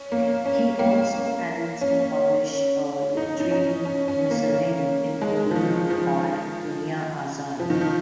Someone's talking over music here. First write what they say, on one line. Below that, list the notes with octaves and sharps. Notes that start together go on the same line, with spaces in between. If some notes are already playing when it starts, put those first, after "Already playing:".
He also edits and publishes a litetary miscellany in Urdu called "Duniyazad".
Already playing: C#4
A#3
C#4
A#3
C#4
D#4
D#4
C#4
C#4
C#4
A#3
G#3
F3
D#3
F3
F3
D#3
F3